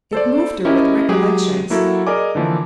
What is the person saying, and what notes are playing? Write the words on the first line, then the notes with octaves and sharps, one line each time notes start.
It moved her with recollections.
A4 C5 D5
C#4 E4 G4 A#4 D#5
F#3 G#3 G4 G#4
F#3 A#3 E4 F#4 A4
G#4 A#4 D5 D#5 G#5 D6
D3 E3 F3 A#3